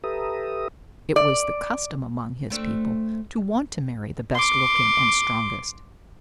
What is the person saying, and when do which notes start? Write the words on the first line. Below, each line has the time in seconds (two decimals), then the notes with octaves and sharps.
It was the custom among his people to want to marry the best looking and strongest.
0.04 G4 A4 B4 E5 A#5 D#6
1.16 D5
2.50 A3 C4 D4
4.35 C6 D6